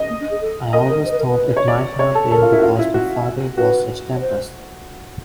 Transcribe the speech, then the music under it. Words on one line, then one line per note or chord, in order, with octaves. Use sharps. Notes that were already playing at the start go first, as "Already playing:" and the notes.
I always thought it might have been because my father was his dentist.
Already playing: D#5
A#3
D4
G#4
A4
A#4 D#5
A#4
C5
B4
A#4
B4
C#5
D5
C#5
A4
A4 A#4
F4
E4
F#4
F4
E4
F#4
F#4 B4
C#5
C5